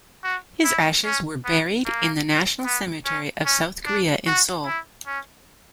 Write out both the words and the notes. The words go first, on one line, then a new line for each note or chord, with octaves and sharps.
His ashes were buried in the National Cemetery of South Korea in Seoul.
F#4
E4
C#4
B3
A#3
B3
C#4
C#4
D4
F#4
E4
C#4